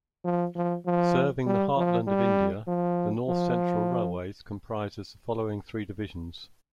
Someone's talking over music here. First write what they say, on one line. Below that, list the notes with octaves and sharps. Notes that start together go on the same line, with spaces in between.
Serving the heartland of India, the North Central Railways comprises the following three divisions.
F3
F3
F3
G3
F3
G3
F3
F3